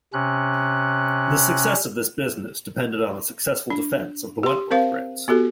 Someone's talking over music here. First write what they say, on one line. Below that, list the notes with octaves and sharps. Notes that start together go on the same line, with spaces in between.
The success of this business depended on the successful defense of the Wentworth grants.
C3 C#4 F#6
D4
G4 C6
C4 A#4 C5 F5
B3 F#4 G4 A4